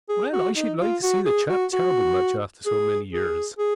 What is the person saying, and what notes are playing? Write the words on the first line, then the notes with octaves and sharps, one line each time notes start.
Well, I should like to see the chap terrible much after so many years.
G#4
F#4
D#4
F4
F#4
G#4
F#4
F#4
G#4
G#4
G#4